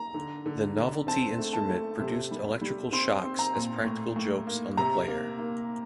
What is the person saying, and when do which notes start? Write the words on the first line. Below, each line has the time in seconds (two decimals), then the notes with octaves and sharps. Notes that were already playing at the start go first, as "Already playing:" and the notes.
The novelty instrument produced electrical shocks as practical jokes on the player.
Already playing: A#5
0.14 D3
0.46 D3
0.77 D3
1.07 C4 A5
1.38 A3
1.53 A5
1.69 A3
1.99 C3
2.31 G3
2.61 G3
2.92 C4 C6
3.24 C4
3.39 A#5
3.55 A#2
3.85 A2
4.16 A2
4.47 A#3
4.77 C3 A#5
5.08 A#3
5.39 A#3